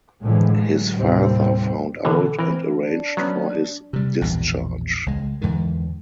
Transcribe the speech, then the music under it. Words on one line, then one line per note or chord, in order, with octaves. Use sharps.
His father found out and arranged for his discharge.
A2 D3 E3 F3 G#3 A3
F#3
D#2 A2 C3 G3 C4
B2 D3 E3 A4
E3 C4 A#4
D4
F#3 B3 C#4
C3 G3
A#1 E2 G#2 B2
C#2 G#3
E2 G#2 D3 D#3